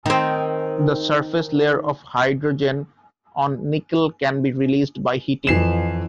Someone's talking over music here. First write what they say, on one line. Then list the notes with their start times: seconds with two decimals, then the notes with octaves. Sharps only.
The surface layer of hydrogen on nickel can be released by heating.
0.06 D#3 C4
5.47 F2 E3 C7 E7